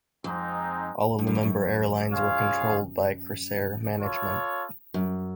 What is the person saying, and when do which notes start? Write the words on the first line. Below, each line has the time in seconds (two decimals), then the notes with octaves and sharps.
All of the member airlines were controlled by Krasair management.
0.24 F2 G#3 C4 D#4
1.19 G2
1.27 F#2
1.35 F2
1.43 F#2
2.12 F4 G#4 C#5 F5
4.00 F4 A4 C#5
4.94 F#2